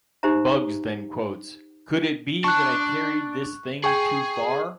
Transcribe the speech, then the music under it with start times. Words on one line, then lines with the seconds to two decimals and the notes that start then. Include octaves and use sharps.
Bugs then quotes Could it be that I carried this thing too far?
0.23 D#4 G4 C5 E5 A#5
2.44 D4 A5 C#6 F#6
3.84 G#4 G5 G#5 C#6